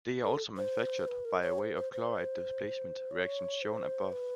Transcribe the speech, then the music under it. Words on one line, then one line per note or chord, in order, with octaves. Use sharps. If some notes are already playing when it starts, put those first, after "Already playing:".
They are also manufactured by way of the chloride displacement reaction shown above.
A4
C5
B4
A#4
C#5
C5
C5
C5
C#5
C5
B4